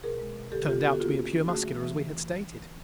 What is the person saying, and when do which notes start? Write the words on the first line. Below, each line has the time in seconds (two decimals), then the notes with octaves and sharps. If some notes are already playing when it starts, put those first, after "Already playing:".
He turned out to be a pure Muscular as we had stated.
0.03 B2 G#4 A#4
0.19 G#3
0.36 B2
0.52 D3 G4 A4
0.68 D3 F4 G4
0.84 B3 G4 A4
0.93 F#4
1.00 A#3 F4 G4
1.16 C#4
1.32 C#4
1.49 A3 F#4 G#4
1.65 E3
1.81 E3